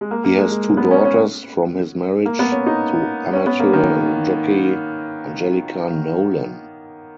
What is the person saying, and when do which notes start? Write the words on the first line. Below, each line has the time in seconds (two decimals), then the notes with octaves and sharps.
He has two daughters from his marriage to amateur jockey Angelica Nolan.
0.01 G#3
0.11 A#3
0.24 A#3
0.37 G#3
0.51 G#3
0.77 B3
0.91 C#4
1.05 C#4
2.26 A#3
2.39 B3
2.52 C#4
2.66 D#4
3.33 C#4
3.46 B3
3.60 A#3
3.73 D#3